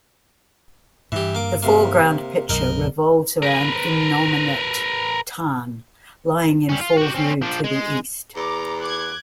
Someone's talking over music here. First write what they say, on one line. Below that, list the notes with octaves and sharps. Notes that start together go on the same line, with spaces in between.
The foreground picture revolves around Innominate Tarn, lying in full view to the east.
G2 E3 G4
A#3 D6
C3 A#3
B1 F#2 A#4 D#5
A#4 B4
G3 C#4
F4
F#4 G4
C4 C#4
F3 D4
G#3
E2 A#5 D6
D6 F#6 G#6